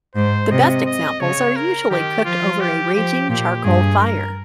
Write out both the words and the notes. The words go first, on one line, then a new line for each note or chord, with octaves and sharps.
The best examples are usually cooked over a raging charcoal fire.
G#2 C5
C3 D#5
D#5
C#3 C#5
A#4
D#3 G4
F3 F4
G4
F3 G4
A#2 G4
G2 G#4
A#4